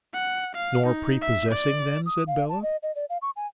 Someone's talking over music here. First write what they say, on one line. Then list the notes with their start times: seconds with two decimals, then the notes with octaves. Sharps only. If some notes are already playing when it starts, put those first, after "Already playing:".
'Nor prepossessing then?' said Bella.
0.14 F#5
0.55 F5
0.86 D#4
1.22 E5
1.51 D5
2.06 D#6
2.27 F5
2.49 A5
2.63 D#5
2.83 D#5
2.95 D5
3.10 F5
3.22 C#6
3.36 G#5